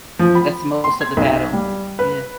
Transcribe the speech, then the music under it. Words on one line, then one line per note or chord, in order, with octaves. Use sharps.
That's most of the battle, yeah.
F3
B5
C6
G#6
B1
G3
B4